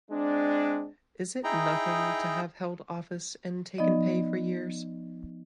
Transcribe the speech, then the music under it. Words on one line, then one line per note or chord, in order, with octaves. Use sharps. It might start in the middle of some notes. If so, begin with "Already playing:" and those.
Is it nothing to have held office and taken pay for years?
G#3 C4 D4
D#4 E4 G#4 G5 A#5
F3 B3 D#4 D5 D#5